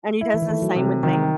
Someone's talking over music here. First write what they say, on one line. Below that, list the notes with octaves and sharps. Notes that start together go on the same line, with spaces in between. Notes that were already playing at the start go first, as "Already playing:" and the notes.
and he does the same with me.
E4
E3
D#3
E3 A3
F#3
C3
D#3